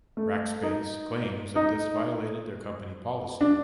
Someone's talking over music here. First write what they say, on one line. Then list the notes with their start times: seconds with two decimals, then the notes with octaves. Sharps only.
Rackspace claims that this violated their company policy.
0.17 A3
0.63 D#4
1.56 D#4
3.41 D4